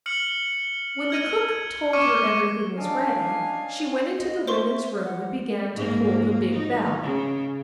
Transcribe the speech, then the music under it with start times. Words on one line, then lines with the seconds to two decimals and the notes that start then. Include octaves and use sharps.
When the cook told her everything was ready she went into the women's room and began to pull the big bell.
0.06 F6 C#7 F#7
1.10 F6 G#6 D#7
1.93 C#6 D6 F6 C#7 D#7
2.77 C#4 D4 D5 D#5 F5 G#5
4.18 D#5
4.47 C5 E5 C6 C#6
5.04 F#5
5.74 G#2 A#3
6.53 D#4
7.03 C#3